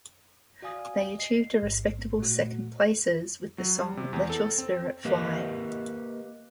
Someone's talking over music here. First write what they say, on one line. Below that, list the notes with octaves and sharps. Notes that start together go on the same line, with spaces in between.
They achieved a respectable second places with the song "Let Your Spirit Fly".
F#4 D5 F5 G#5 D#6
D#5 C7
A1 G#2
A#2 A3 F#4
F#3
G3
C3
E2
A4
C4
A#3 G4 A#4 B4 D#5